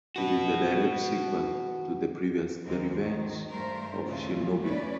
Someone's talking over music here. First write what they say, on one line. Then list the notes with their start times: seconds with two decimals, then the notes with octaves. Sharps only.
It is the direct sequel to the previous "The Revenge of Shinobi".
0.16 F#4 B4
2.63 D#2 A#3 C4
2.99 D#3
3.51 G2 G3 A3 A#4 C5
4.06 D#2 A#2 C#3 A3 F4
4.60 A3 C#4 B4 D5